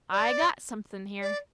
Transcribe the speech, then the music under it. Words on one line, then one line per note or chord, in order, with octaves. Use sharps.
I got something here.
D5
D5